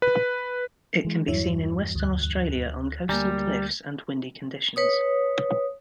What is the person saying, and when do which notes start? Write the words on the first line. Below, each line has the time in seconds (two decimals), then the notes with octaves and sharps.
It can be seen in Western Australia on coastal cliffs and windy conditions.
0.02 B4
1.05 E3 G#3
1.28 E2 G2 F#3 E4 C#5
1.95 D2 F#6
3.09 D2 G3 A#3 G#5 A#5
4.76 B4 C#5 D#6